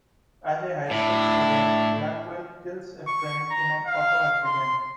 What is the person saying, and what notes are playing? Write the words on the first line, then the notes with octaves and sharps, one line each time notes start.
As a high school student, Blackwell kills a friend in an auto accident.
A2 D4 E4
C#6
A#5
F5
C6